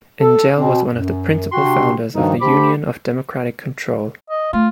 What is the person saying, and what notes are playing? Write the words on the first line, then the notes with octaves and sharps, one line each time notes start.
Angell was one of the principal founders of the Union of Democratic Control.
A4
B2 C4
F#2
C3 D4 F#4 G4 G5 C6
G2 D#3 F3 G3 D#4 F#4
A3 D4 G4 C5 B5 D6
D#5
A3 F4